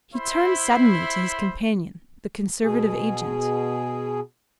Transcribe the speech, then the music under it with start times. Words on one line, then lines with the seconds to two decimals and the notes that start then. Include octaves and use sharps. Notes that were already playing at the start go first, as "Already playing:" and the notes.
He turned suddenly to his companion, the Conservative agent.
0.14 E4 C5 E5 B5 C6
2.64 B2 G#4